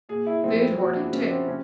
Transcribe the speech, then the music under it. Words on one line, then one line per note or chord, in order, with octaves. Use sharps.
Food hoarding, too.
A#2 G#4
E4
F3 C4
C4
A#2 F#4
D4
F3 C#4
C4
C3 C#4